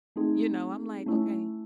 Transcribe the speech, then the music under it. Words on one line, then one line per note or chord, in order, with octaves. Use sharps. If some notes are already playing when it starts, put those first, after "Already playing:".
You know, I'm like, "Okay."
A3 C4 D#4 G#4
A3 C#4 E4